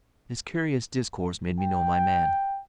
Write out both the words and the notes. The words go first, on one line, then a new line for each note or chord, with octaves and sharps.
This curious discourse made me know my man.
G5